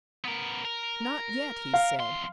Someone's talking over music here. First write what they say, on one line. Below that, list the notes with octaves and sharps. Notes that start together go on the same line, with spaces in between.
"Not yet," he said.
B3 A#4
A#4
F5
E2 C6